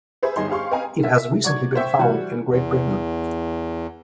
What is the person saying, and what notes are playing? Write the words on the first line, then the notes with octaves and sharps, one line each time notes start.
It has recently been found in Great Britain.
G#4 B4 C5 E5
G1 D#4 G#4 D#5 C6
G4 G#4 F5 C6 C#6
B4 D#5 F5 G5 G#5 A#5
E5
F#3 D5 C#6 G#6
C5 E5 G5 C#6
E3 G3 F#4
E2